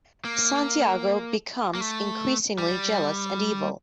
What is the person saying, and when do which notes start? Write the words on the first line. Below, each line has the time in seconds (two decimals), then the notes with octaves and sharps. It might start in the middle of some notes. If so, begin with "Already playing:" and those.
Santiago becomes increasingly jealous and evil.
0.25 A#3
1.75 A#3
1.81 A3
2.58 G3